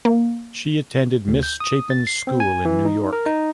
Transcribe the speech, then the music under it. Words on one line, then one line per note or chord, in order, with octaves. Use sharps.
She attended Miss Chapin's School in New York.
A#3
D2
G6
D#6
A6
C7
C4
G#5
E3
D#4
A#4
D#4